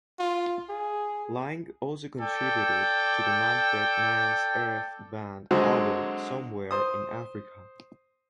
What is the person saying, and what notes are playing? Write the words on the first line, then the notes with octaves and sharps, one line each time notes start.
Laing also contributed to the Manfred Mann's Earth Band album "Somewhere in Afrika".
F4
G#4
A4 D5 G5
D3 F#3 G#3 C4
C5 D#6